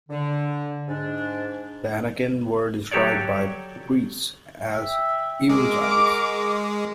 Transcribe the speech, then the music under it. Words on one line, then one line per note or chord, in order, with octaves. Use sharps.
The Anakim were described by priests as evil giants.
D3
G#2 G#3 D4
F#3 G4 A4 C#5 D5
E5 G5
G#3 F#4 A#4 D6